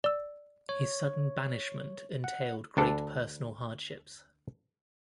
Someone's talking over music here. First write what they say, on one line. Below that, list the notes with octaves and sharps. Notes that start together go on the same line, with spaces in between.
His sudden banishment entailed great personal hardships.
D5 E6
C#5
F#5
D2 D4 A4